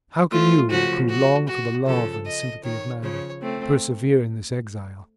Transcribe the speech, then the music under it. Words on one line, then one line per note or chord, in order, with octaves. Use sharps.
How can you, who long for the love and sympathy of man, persevere in this exile?
F3 A3 F4
C#3 F3 F#4
F#4
F#4
C#3 F3 A4
D#5
D#3 C#5
C#3 F3 C#5
A3 C4